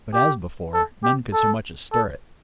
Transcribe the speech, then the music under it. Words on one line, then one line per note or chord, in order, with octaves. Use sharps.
But as before, none could so much as stir it.
G4
A4
G4
A4
A4